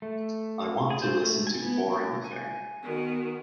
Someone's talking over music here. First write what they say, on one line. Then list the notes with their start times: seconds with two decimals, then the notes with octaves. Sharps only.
I want to listen to Foreign Affair.
0.02 A3
0.90 G#4
1.02 C5
1.21 A3
1.47 G#5
1.62 B3
1.88 A#3
2.24 G#5
2.83 D#3 B3 F#4